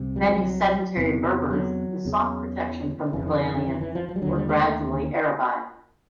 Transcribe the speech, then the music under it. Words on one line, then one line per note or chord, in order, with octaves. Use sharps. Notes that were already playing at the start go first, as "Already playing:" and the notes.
Many sedentary Berbers who sought protection from the Hilalians were gradually Arabized.
Already playing: C2 C3
G3
F#3
F3
F#3
E2 C3
F#3
E2 C#3
F2 C#3 E3
D#3
D#3
D3
E3
E3
F3
F3
G3
D#2 D3 F#3
G3
G#3
A3